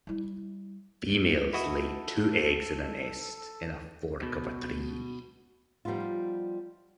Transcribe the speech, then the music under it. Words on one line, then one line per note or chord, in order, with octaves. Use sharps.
Females lay two eggs in a nest in a fork of a tree.
G3 E4
E4 F#4 A4 D#5
B2
F3 G3 B3 D#4 F4